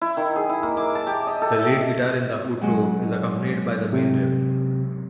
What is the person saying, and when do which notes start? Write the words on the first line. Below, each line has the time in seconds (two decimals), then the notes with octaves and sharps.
The lead guitar in the outro is accompanied by the main riff.
0.01 E4
0.17 D#3
0.36 G#4
0.50 E4
0.63 A#3
0.77 D6
0.95 A5
1.07 G4
1.27 D#5
1.42 A4
1.59 E5
2.61 F#3 G#3 C#4
3.93 C3